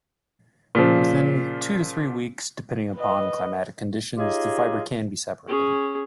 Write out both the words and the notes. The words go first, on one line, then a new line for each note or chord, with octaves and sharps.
Within two to three weeks, depending upon climatic conditions, the fibre can be separated.
A#2 C#3 F3
B4 D#5
D#4 F4 G4 G#4 C#5 D#5
C#4 G#4